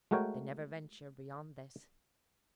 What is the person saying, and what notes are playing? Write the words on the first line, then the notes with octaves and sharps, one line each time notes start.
They never venture beyond this.
G#3 A3 F#4 A#4 C#5 G5